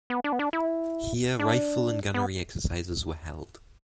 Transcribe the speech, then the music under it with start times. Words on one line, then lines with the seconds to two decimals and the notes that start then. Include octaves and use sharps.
Here rifle and gunnery exercises were held.
0.10 B3
0.24 D4
0.32 B3
0.39 D4
0.53 E4
1.39 D4
2.14 B3